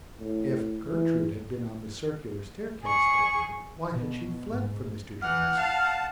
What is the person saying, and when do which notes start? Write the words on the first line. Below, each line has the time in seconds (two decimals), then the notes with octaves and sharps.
If Gertrude had been on the circular staircase that night, why had she fled from Mr. Jamieson?
0.19 A2
0.85 E3
2.83 G#4 C#6
3.91 B2
4.48 G#2
5.22 E3 F#5 F6
5.57 F5 A5